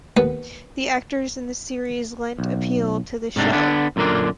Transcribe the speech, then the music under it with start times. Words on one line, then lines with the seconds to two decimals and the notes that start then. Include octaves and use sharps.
The actors in the series lent appeal to the show.
0.17 D#2 B3 B4
2.38 B1
3.36 G#2 C3 D4 D#4
3.52 D3 B3 D4
3.96 F#2 A#2 D3 A#3 D4